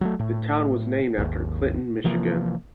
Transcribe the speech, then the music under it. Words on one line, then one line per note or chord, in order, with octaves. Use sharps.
The town was named after Clinton, Michigan.
F#3 G3 A3
A2
G#1 D#2
C3 E3 F3 A#3